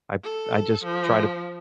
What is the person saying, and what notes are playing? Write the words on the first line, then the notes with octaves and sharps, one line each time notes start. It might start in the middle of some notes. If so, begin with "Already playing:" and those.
I I just try to
A4
F3